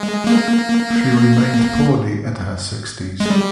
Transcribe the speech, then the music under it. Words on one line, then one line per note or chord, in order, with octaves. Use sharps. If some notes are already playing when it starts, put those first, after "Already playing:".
She remained poorly at her sixties.
Already playing: G#3
A#3
G#3
G3